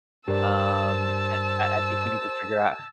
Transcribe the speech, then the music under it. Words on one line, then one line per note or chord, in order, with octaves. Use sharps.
um, and I I think we need to figure out
G2 G4 A#4 C5 D5 A5 E6